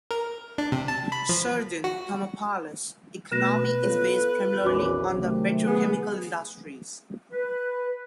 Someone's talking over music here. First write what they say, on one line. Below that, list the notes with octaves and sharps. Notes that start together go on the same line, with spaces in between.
Southern Tamaulipas' economy is based primarily on the petrochemical industries.
A#4
D4
C3
A5
B5
F3
F#4
B2 A3 B4 A#6 E7
B3 F4 A4 C#5
A#1 E2 D#3 C#4 F#4 C#5 D6
C3 D#3 F#3 A3
B3 G#4
B4